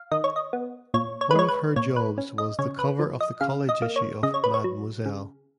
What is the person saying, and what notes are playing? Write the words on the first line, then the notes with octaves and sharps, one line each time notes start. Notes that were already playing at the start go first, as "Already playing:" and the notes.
One of her jobs was the cover of the college issue of "Mademoiselle".
Already playing: F5
D#3 D#5
C#5
D#5
B3
A#2 C#5
C#5
B4
G#3 C#5
B4
A#2 C#5
B4
C#4
D#5
C#3 C#5
B4
F3
D#5
C#3 F5
D#5
A#3
C#5
C#3 D#5
C#5
B4
C#5
F#3
C#3